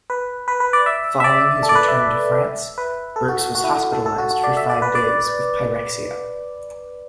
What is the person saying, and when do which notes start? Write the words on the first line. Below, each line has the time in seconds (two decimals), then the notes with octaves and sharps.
Following his return to France, Birks was hospitalised for five days with pyrexia.
0.10 B4
0.48 B4
0.60 B4
0.73 D5
0.86 E5
1.20 E5
1.24 D5
1.63 A4
1.69 D5
1.75 B4
1.88 E5
2.78 B4
3.16 A4
3.29 F#4
3.41 F#4
3.55 F#4
3.64 E4
3.73 F#4
3.93 A4
4.06 A4
4.18 F#4
4.31 F#4
4.44 D5
4.57 E5
4.70 D5
4.82 B4
4.95 D5